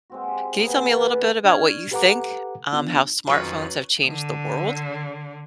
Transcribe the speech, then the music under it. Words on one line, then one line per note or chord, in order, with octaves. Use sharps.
Can you tell me a little bit about what you think, um, how smartphones have changed the world?
G#3 C4 F#4
G4
A#3 B3 G#4
E3
D4 D5 C#6 F6 G#6
G4 A4 B4 F#5 A#5 D6
D#3 B3 D4 F4
F2 D#3 F#3 C#4 F4 B4 C#5
D3